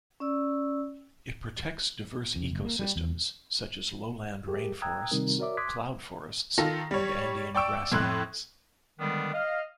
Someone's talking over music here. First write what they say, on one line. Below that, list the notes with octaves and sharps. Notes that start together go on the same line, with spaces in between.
It protects diverse ecosystems such as lowland rainforests, cloud forests and Andean grasslands.
C#4 D5 E6
F2
F#1
A#3
G3
E2
G4 G#4 A#4
G5 A#5 D#6 E6 F#6 G#6
C3 D#3 G3 C4 D#4 A#4
F#4 A#4 C#5 D5 E5 D6
C6 D6 D#6 F#6 G#6 B6
D#3 F4 A4 A#6
G3 C#5
D5 G5 C#6 E6 D7
F2 A2 C6 F#6
D3 D#3 G3 G#3 B3 D4
D#5 F5 F6